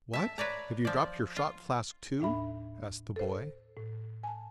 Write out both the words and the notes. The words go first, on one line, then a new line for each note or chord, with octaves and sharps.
'What! have you dropped your shot-flask too?' asked the boy.
E5 A5
B4 C#5 D5 A#5
F3 D5
F4
D#2 A2 D4 E5 B5
A4 C5
A2
G#5 A5